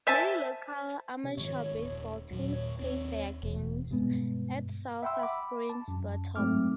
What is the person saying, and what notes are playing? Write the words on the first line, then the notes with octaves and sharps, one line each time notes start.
Many local amateur baseball teams played their games at Sulphur Springs Bottom.
C5 E5 G#5 A5
C3
G#2 D#3 F3 C#5
D#1 C2
D#2 A#2 F#3
C#5
D#2 C4
E1
G2 B2 G#3 B3
E5 F#5 G5 B5 C6 E6
B5 D6
A5
F#2
G#2 F#3 A3 C4 D6 F6